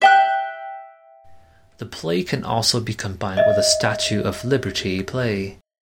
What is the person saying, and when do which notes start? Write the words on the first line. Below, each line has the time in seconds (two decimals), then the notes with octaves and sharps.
The play can also be combined with a Statue of Liberty play.
0.02 E5 G5 F#6
3.37 D#5 E5